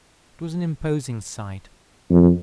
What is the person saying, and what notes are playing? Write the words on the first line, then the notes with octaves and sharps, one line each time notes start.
It was an imposing sight.
F2